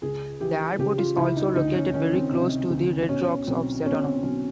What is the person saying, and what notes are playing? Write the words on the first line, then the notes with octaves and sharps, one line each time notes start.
The airport is also located very close to the Red Rocks of Sedona.
C#2 G#4
E3 G4
C#3 G4
F4
C#2 E4
D#4
D2 D#4
C#4
D#3 C#4
C4
C3
D2
B2 C#4
B1 C4
B2 C#4
C4
B1 C#4